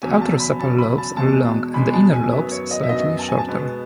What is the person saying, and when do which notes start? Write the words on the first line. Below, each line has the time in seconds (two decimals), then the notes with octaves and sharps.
The outer sepals lobes are long and the inner lobes slightly shorter.
0.03 E2 C#3 F#3 C#4 G#5
0.22 A5
0.40 B5
0.59 E2 C#3 F#3 C#4 A5
0.78 B5
0.98 A5
1.17 E2 B2 G#3 A5
1.74 E2 B2 G#3 B5
1.94 A5
2.12 G#5
2.32 F#2 D#3 F#3 B3 E5
2.51 C#5
2.71 D#5
2.83 E5
2.89 F#2 D#3 F#3 B3 D#5
3.19 A5
3.28 G#5
3.38 A5
3.47 B2 G#3 B3